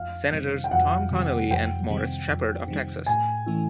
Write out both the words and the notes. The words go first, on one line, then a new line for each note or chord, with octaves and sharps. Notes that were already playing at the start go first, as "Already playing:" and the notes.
Senators Tom Connally and Morris Sheppard of Texas.
Already playing: F2 F5
C3 D#3 G3
G5
F2 F#5
C3 D#3 G3
F2 G5
C3 D#3 G3
F2
C3 D#3 G3
A2 G#5
E3 A3 C#4 E4